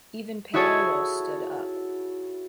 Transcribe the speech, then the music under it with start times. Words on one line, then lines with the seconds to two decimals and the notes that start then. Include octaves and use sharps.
Even Paolo stood up.
0.54 E4 F#4 G#4 A4 C#5